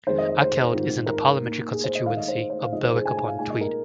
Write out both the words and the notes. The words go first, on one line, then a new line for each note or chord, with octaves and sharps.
Akeld is in the parliamentary constituency of Berwick-upon-Tweed.
F2 D#3 G#3 C5
D#5
D#5
C5
G#2 D#3 C4 F4
A#4
A#2 A#3 D#4
G#4
C5
D#5
D#3 G#3 D#4 F5
D#5
C5
C5
F5
C3 F3 G#3 C4 D#4 D#5
C5
G#4
G#5
G#5
F5
A#2 G#3 D#4 G#5
D#5
A#4